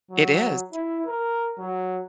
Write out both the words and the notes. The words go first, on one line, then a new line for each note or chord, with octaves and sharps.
It is.
F#3
E4
A#4
F#3